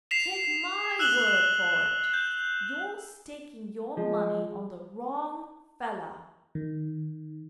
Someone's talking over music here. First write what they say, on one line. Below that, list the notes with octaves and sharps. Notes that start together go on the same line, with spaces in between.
Take my word for it, you're staking your money on the wrong fellah.'
B6 C7 E7 F7
E6 F#6 E7 F#7 G7
G6
F3 G#3
D#3